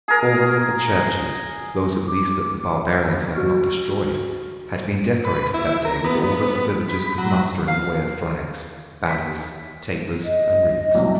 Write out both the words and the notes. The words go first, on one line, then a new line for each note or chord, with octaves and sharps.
All the little churches--those at least that the barbarians have not destroyed--had been decorated that day with all that the villages could muster in the way of flags, banners, tapers and wreaths.
G#4 A#4
D6
F#4 C#6 F6
B4
E4
A#4
B3
B3
B5
F#3
F5
B6
D#5
C2 F#2 C3